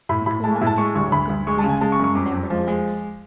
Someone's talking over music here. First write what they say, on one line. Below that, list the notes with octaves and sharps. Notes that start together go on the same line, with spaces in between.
A chorus of welcome greeted them, nevertheless.
A2 B5
A2 B5
G#3 A5
G#5
A2
A5
G#3 C#6
D2 C#6
D2 B5
D2
G#3 C#6
A5
C#3
G#5
G#3 A5
C#6
F#2
C#6
F2 D6
F2
F3
G#3